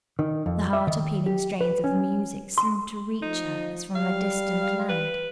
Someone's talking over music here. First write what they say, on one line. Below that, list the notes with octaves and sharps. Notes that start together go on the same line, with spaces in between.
The heart-appealing strains of the music seemed to reach her, as from a distant land.
D#3
F2
E5
D#3
G4
B4
C#4
C6
F3 D#4
G3 F5
B4